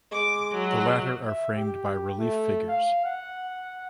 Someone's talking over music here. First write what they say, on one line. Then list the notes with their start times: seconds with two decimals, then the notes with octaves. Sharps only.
The latter are framed by relief figures.
0.12 G#3 D6
0.54 F#3
1.27 E5
1.56 G4
2.19 A3
2.69 F5
3.05 F#5